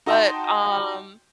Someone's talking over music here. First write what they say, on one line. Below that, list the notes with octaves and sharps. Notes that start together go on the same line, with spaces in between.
But, um,
D#4 F#4 D#5 G5 A5 C6